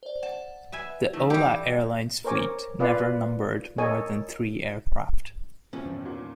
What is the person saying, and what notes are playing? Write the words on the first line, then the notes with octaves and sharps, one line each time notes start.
The Hola Airlines fleet never numbered more than three aircraft.
C5 D5
F#5 A5
B4 E5 G#5
D#3 A3 D#4 E4
E3 G3 G4 A4
A#4 C5 C#5 G#5 D6
F4 B4 D5 F5 G#5
A4 A#4 C#5 D#5 G#5
A2 C3 F3 C#4
E2 G2
D#2 A#2 E3